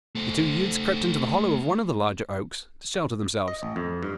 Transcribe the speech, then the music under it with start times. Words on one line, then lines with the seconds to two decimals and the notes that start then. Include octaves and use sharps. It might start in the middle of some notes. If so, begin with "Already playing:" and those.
The two youths crept into the hollow of one of the larger oaks to shelter themselves.
0.15 A3 C5
3.48 D#5
3.63 A1
3.76 F2
4.03 G2